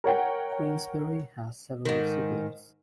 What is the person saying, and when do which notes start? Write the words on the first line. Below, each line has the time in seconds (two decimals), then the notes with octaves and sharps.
Queensberry has several siblings.
0.04 A#4 C#5 F#5 G5
1.85 G#2 D#3